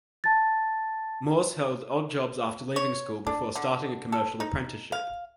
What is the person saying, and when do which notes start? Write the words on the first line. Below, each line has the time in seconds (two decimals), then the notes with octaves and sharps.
Moers held odd jobs after leaving school before starting a commercial apprenticeship.
0.24 A5 A6
2.76 C#5
3.27 D4
3.56 D3
4.12 A4
4.40 D#4
4.92 F5